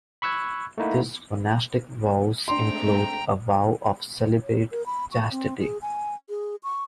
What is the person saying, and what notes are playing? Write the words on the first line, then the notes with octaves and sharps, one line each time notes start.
Their monastic vows include a vow of celibate chastity.
B5 C#6 E6 F#6 G#6
A3 A#3 D#4 E4 F#5
G#3 A3 C4 D4 G5 A#5 C6
C#5
A#4
B5
C#6
C4
G#4
G#5
G#4
C#6